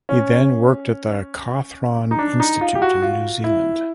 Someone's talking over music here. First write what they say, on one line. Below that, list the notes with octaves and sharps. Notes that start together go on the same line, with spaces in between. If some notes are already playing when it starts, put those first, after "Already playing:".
He then worked at the Cawthron Institute in New Zealand.
C#4
D#4
D4
D#4
F4
G4
F#4
F4
E4